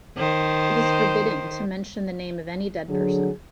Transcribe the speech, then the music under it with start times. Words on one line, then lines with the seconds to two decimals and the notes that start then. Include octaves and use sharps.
It is forbidden to mention the name of any dead person.
0.17 D#3 C5
2.89 D3 F#3 G#4